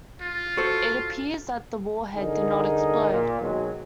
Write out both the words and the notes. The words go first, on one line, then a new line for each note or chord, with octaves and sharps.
It appears that the warhead did not explode.
F4
F#4 A4 C5
C2 D3 D#4 G#4 A#4
A#2
B2 D#3 F#3 G#3